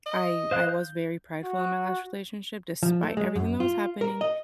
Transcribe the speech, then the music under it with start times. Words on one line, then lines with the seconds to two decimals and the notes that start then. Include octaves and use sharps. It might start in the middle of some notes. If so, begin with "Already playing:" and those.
I I was very prideful in my last relationship, despite everything that was happening,
0.06 D#5
0.51 C5 F5 F#6
0.69 G6
1.44 F#4
2.83 F3
3.03 A3
3.17 G#3
3.36 F#2
3.60 F4
4.01 A#4
4.21 D#5